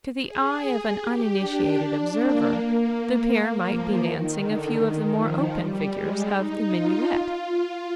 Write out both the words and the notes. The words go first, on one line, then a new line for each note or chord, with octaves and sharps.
To the eye of an uninitiated observer, the pair might be dancing a few of the more open figures of the minuet.
G#4
G4
D4
D4
A#3
A#3
A#3
A#3
F3
D#3
D3
D#3
F3
G3
G#3
D#4
F4
F4